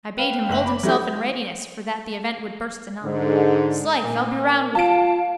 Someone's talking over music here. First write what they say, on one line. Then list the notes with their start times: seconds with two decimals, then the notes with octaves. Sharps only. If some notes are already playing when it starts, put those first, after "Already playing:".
I bade him hold himself in readiness for that the event would burst anon. 'Slife, I'll be round with you.
0.17 B4 F5 G5
0.49 F#1 E5 F#7
0.66 B5 D6
0.83 F#3 A3 E4 G4
3.04 G#2 D3
4.04 A#2
4.75 F4 F5 A5 D7